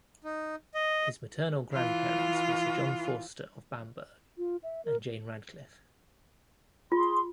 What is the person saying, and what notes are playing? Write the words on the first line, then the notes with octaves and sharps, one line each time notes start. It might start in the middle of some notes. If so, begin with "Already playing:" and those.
His maternal grandparents were Sir John Forster of Bamburgh and Jane Radcliffe.
D#4
D#5
E3 F4
F4
E5
A#4
F4 G#4 C6